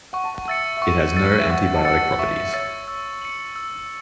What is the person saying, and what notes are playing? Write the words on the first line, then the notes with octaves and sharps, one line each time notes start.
It has no antibiotic properties.
F#5 C#6
A5
F#5
E5 E6 A6 C#7
E5
F#5 C#6
E6 A6 C#7
E5
F#5 C#6
A5
F#5 E6 A6 C#7
E5 C#6
C#5 E6 A6 C#7
E6
C#7 F#7
E6